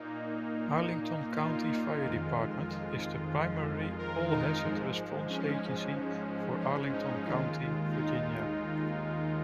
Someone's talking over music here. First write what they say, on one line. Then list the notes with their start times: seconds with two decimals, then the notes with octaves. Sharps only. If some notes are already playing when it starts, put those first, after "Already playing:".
Arlington County Fire Department is the primary all-hazards response agency for Arlington County, Virginia.
Already playing: A#2 A#3 D#4
1.36 F4
2.02 F2 D#3 G#3
3.98 A#4
4.31 D#4
4.64 G#2 F3 G#3
5.30 C#4
6.61 C#4
6.93 D#4
7.26 D#2 D#3 G#3 F4
7.92 D#4